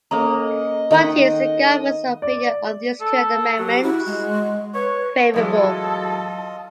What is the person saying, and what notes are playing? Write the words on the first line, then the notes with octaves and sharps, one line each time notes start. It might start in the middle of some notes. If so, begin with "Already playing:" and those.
What is the Government's opinion on these two amendments? Favorable.
A#3 C#4 A4 D#5 A#5
D#3 F#5 G5
D5
A4
F#3 G4
E4 F#4
G#3
B4 C#5
A2 E3 F#3 G#3 F4 A4 D#5